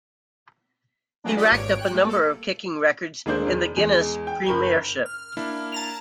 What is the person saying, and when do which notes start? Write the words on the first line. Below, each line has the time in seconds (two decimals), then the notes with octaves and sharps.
He racked up a number of kicking records in the Guinness Premiership.
1.24 E3 F#3 G#3 A#3 D4
1.36 F4 G4 B4 D5 D#5
1.51 G#1 C#5 D7
1.78 F#4 G5 F#6
1.91 G3 A3
2.06 A#3 A4
3.26 D#1 G#3 A#3 D4 C5 G6
3.47 E1
3.77 E2 G#3
4.27 G5
4.46 F#1 A#4 B5 G7
5.06 F6
5.37 A#3 D4 E4
5.72 A5 A#5 F7